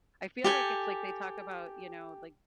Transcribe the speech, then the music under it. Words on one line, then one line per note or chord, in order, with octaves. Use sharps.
I feel like it's like, they talk about, you know, like,
G4 A4 G#5